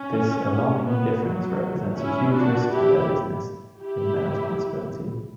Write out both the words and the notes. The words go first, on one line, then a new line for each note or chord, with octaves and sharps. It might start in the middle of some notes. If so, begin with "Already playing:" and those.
This alarming indifference represents a huge risk to their business, given their responsibility.
Already playing: C#4
B3
F#3
C#4 E4
D4 F#4
E4 G4
E4 G4